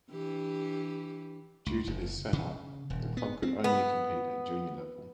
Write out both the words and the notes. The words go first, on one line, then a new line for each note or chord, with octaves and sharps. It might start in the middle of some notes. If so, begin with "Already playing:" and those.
Due to this set-up the club could only compete at Junior level.
E3 D4 G4
C#2
F#1
C#3
D#1
B3
C4
B3